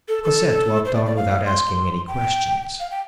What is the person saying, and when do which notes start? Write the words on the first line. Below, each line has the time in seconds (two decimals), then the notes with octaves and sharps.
Cosette walked on without asking any questions.
0.08 A4
0.24 A4
0.85 C5
0.95 D5
1.05 D5
1.16 F5
1.46 C6
2.08 G5
2.80 F5
2.91 G5